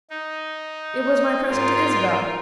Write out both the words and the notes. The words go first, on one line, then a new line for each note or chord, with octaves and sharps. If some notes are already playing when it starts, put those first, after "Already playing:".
"It was my present to Isabel."
D#4
G#2 F4 A#4